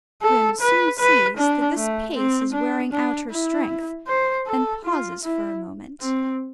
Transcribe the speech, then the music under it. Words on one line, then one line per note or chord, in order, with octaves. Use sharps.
Grim soon sees that this pace is wearing out her strength, and pauses for a moment.
A4
B4
B4
D4
A3
C4
D4
D4
E4
C5
A4
F4
E4
C4